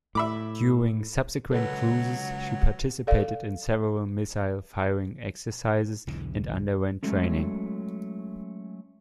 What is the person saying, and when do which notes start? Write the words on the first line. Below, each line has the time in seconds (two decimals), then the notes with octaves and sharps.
During subsequent cruises, she participated in several missile firing exercises and underwent training.
0.15 A2 E5 B5 D6
1.51 C#2 F#3 A4 B4
3.07 A4 D5 F5
6.07 B1 E2 D3 E3
7.03 F#3 G#3 A3 C#4